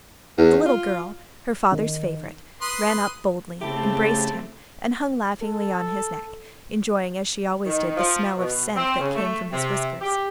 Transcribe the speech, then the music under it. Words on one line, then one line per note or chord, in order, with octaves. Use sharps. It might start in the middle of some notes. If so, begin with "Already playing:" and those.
The little girl, her father's favorite, ran up boldly, embraced him, and hung laughingly on his neck, enjoying as she always did the smell of scent that came from his whiskers.
E2
F4
D#3
B4 C6 D#6
C#3 A3 C4 E4 G4 A5
A4
D#3
F3
B2
C4
C#3
A3
C3
G4